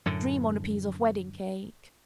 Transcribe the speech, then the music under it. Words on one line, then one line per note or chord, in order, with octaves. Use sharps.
Dream on a piece of wedding cake.
F#2 A2 D3